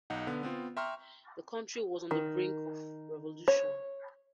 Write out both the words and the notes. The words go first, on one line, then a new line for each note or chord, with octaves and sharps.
The country was on the brink of revolution.
B1 D#4 F#5
D3 B3
B3 C4 F4
E5 G5 A#5 C6 C#6 F6
D#3
C#5